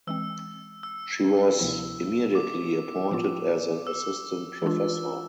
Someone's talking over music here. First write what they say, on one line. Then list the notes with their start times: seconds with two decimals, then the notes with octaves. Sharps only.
She was immediately appointed as an Assistant Professor.
0.07 E3 G#3 C4 E6
0.83 E6
1.59 D2 C3 F3 B3 E4
2.35 D6
3.11 A2 F3 B3 F4
3.87 E6
4.62 E3 G#3 D4 F4